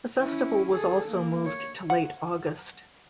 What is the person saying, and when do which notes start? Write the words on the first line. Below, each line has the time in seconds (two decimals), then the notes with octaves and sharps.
The festival was also moved to late August.
0.19 C#4 E4
0.73 G#4 A4
1.09 A#3
1.45 C#5
1.90 F#5